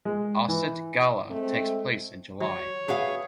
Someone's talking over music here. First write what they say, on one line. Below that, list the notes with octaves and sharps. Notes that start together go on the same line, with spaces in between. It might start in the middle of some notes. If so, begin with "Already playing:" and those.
Ossett Gala takes place in July.
G#3
E3
G#3 A3 C4
F#3 C#5
D4 F#4 G#4 B4 E5 F5